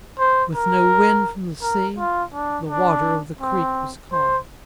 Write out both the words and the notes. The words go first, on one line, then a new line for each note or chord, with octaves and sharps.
With no wind from the sea, the water of the creek was calm.
C5
A#4
A#4
F4
D4
D4
C4
C5